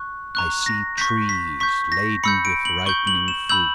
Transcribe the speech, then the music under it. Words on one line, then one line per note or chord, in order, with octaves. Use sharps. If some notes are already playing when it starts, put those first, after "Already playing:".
I see trees laden with ripening fruit.
Already playing: C#6 F#6
A#5 C#6 F#6
A#6
C#6 G6 B6
B6
C#6 G6 B6
A#6
B5 E6 G6 C#7
D7
F#7
C#6 G6 G7
F#7
E7
B5 E6 G6 F#7